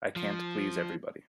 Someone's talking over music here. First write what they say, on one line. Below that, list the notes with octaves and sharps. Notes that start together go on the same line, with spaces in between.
I can't please everybody.
F3